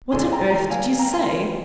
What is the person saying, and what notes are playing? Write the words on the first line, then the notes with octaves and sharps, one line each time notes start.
"What on earth did you say?"
D2 D3 G#3 D4 G#5 C6
G5 A#5
G5 A#5
F5 G#5
G5 A#5
G#5 C6